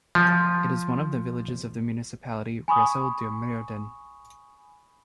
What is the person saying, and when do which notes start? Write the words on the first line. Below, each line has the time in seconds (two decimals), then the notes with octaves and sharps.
It is one of the villages of the municipality Reusel-De Mierden.
0.15 F3
2.68 G#5 B5 C#6 D#6